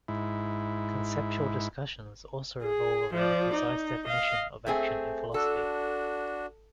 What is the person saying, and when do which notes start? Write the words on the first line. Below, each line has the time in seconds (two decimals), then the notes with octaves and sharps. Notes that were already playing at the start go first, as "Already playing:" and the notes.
Conceptual discussions also revolve around a precise definition of action in philosophy.
0.08 G#2 E4
2.62 G#4
3.13 F3 D5
3.54 D#4
4.04 D#5 F5
4.66 A3 C4 G#4
5.34 D4 F#4 A4